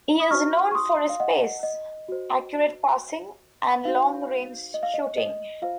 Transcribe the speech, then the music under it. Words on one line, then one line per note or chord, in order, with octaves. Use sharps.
He is known for his pace, accurate passing and long range shooting.
D#6
D#4 F#4 C5 C#6 F6
C#6
C6 D#6
F5
D#5 F#5
D#5
F#4 C5
D#4 F#4 C5 F5
D#5
F5
D#5
D#5
F4 C5 F5